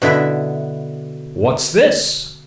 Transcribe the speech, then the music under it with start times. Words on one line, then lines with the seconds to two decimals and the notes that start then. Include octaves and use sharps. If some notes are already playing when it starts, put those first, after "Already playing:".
"What's this?"
0.02 B2 D3 E4 B4 E5